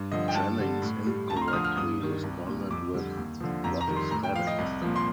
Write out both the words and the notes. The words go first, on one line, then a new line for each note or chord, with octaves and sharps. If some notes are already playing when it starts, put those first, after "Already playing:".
Jennings incorrectly responded with What is FedEx?
Already playing: G2
D3 F3 D#5
G5
G2 A5
D3 G3
A2
G3
D2 A5
A#5
C6
F6
D3 F3 D#6
F6
G2 D#6
D#3 G3
C2
A#2 G3
F2 D6
D3 G3
D#2
D3 F3
F2 A#5
A#5
D#3 G3
C6
A2 A#5
G5
F3 F5
D#5
C2
A#2 F3
C6